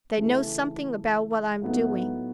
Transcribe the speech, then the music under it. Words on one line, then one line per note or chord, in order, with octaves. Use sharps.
They know something about what I'm doing.
C#3 E3 A3
A2 F#3 B3 D#4